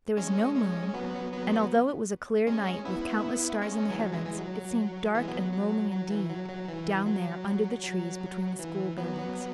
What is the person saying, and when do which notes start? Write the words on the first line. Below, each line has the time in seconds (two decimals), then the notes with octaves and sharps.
There was no moon, and although it was a clear night, with countless stars in the heavens, it seemed dark and lonely indeed down there under the trees between the school buildings.
0.17 G#3 C#4
0.56 G#3 C#4
0.88 C#4
0.94 F#3 B3
1.32 F#3 B3
2.47 G#3 C#4
2.85 B3 E4
3.62 G#3 C#4
3.90 E3
3.99 F#3
4.12 E3 G#3
4.25 E3 G#3
4.38 F#3
5.15 E3 G#3
5.27 F#3 B3
5.40 F#3
5.53 F#3
5.91 F#3
6.10 E3
6.29 F#3
6.49 F#3
6.68 E3
7.06 F#3
7.83 F#3
8.59 E3
8.97 F#3 B3